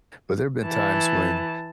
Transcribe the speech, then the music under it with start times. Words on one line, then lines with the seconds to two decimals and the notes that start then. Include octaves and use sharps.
but there've been times when
0.65 E3 A5